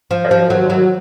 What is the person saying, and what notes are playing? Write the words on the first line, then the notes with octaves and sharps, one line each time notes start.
Are you alone?
F3
F3
F#3
F#3